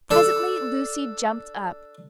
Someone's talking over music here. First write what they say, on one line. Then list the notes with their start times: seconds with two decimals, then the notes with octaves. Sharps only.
Presently Lucy jumped up.
0.11 D4 A4